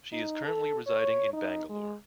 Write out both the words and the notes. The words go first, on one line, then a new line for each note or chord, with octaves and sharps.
She is currently residing in Bangalore.
D#4
A4
C#5
D#4
G#3